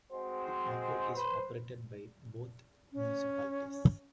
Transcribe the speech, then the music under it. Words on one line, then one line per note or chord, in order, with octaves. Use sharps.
The airport is operated by both municipalities.
G#2 G#3 C4 F#4 C5
B4 C5
C#4